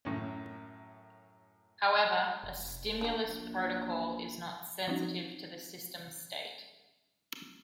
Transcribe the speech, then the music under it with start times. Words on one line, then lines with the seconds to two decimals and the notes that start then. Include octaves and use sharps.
However a stimulus protocol is not sensitive to the system state.
0.05 F#2 A2 C#4
2.43 F1
3.01 D4 G4
3.28 A#1
4.87 F3 C4 C#4 D#4 F#4